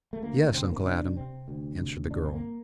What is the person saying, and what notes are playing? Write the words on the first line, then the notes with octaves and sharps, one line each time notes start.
"Yes, Uncle Adam," answered the girl.
A3
D2 A#3
D4
C3 C4
A#3
C4
C3 D4
C3 C4
D2
C3
G1 D4
C4
A#3